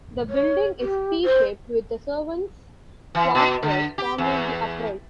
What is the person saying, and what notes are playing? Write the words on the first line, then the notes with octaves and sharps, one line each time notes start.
The building is "T" shaped with the servants quarters forming the upright.
C#5
G4
C5
E3
B2
D3
G4
E2